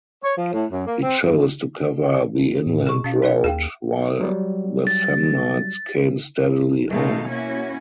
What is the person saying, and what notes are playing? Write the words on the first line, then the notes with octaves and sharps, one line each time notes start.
He chose to cover the inland route while the Samnites came steadily on.
C#5
F3
A2
F#2
A#3
C4
G2
A2
B2 G#4 C#6
B2 C#4 F5
D#4 A#4 D5
D#2 G#4 F5 G5
F#3 G3
A6
B2 G#3 A3 D#4 F5
A#3 C#4 E4 F#4